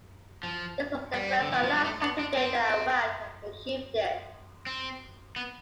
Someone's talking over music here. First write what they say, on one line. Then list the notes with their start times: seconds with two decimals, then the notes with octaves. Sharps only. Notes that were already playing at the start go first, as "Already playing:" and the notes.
This was the first and last time to date that Iraq have achieved this.
0.43 F3
1.14 G3
1.41 D3
1.51 E3
1.63 F3
1.74 G3
1.84 A3
2.02 B3
2.19 D4
2.37 C4
4.67 C4
5.36 B3